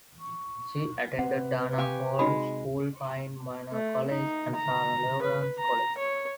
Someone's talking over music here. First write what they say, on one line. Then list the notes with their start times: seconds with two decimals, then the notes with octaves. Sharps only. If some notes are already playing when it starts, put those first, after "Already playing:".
She attended Dana Hall School, Pine Manor College and Sarah Lawrence College.
0.20 C#6
1.19 C3 B4 F#5
1.78 G4 F5 G#5 C#6
2.19 G#3 D#4 F#4 B5
3.72 A3
4.08 D#4
4.55 A#5
5.22 B4
5.58 A#5
5.98 C#5